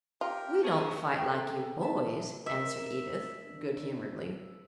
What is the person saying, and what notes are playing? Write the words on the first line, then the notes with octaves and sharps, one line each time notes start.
"We don't fight like you boys," answered Edith, good-humoredly.
F4 G4 A#4
F3 C#4 G#4 A5
C#3 A4 G5 G#5
E3 E5 A5
A#4 E5
D4